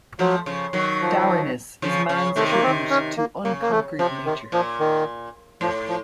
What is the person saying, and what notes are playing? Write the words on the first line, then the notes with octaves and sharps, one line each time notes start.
Dourness is man’s tribute to unconquered nature.
F3 F#3 A3
C#3 F3
D#3 F#3
F3
C#3 F3
C#3
C3 D#3 A3
A#3
C4
C#4
A#3
C#3 A#3
A#3
A3
C3 F3
D#3
A#2 F3
D#3
A2 F3
F3